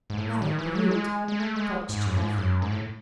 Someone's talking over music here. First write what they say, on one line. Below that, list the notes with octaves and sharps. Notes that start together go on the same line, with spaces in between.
"What a brute!" thought Chichikov.
G#2
A2
D#3
E3
F#3
G#3
G#3
A3
G#3
G#2
F#2
A2
G#2
F#2
G#2
A2